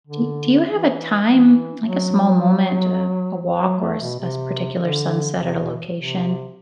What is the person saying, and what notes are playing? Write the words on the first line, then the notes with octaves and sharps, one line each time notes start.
Do y do you have a time, like a small moment, uh, a walk or a s a s particular sunset at a location
D3
E3
E3
F#3
F#3
A3
B2
C3
D3
C3
B2
C3